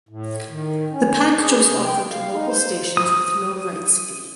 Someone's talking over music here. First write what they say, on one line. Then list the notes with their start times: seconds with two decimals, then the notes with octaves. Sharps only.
The package was offered to local stations with no rights fee.
0.09 A2
0.49 D#3
0.92 C#4
1.39 G#4
1.69 C3
1.85 G5
2.10 F5
2.33 D#4
2.49 C5
2.97 D#6